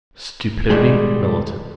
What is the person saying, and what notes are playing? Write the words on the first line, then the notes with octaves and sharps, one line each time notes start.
Stupidity militant.
B2 D#3 G3 G#3 G#4